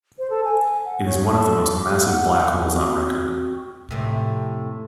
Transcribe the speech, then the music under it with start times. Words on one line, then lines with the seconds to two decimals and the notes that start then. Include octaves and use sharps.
It is one of the most massive black holes on record.
0.19 C5
0.30 A4
0.44 G#5
0.85 F#5
1.06 C#5
1.25 A4
1.63 D6
1.87 G4
2.06 F#5
2.69 C4 F#4
3.91 F2 A2 C3